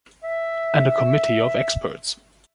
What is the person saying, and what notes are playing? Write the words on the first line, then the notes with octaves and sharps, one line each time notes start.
And a committee of experts.
E5